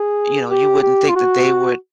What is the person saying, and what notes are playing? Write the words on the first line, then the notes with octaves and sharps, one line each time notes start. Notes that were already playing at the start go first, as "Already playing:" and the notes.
you know, you wouldn't think that they would
Already playing: G#4
G4
G4
F4
F#4